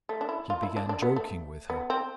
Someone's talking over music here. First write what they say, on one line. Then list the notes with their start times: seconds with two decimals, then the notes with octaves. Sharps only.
He began joking with her.
0.09 A3
0.21 D4
0.29 E4
0.50 F4
0.63 E4
0.77 D4
0.89 D4
1.02 B3
1.16 A3
1.70 B3
1.90 C4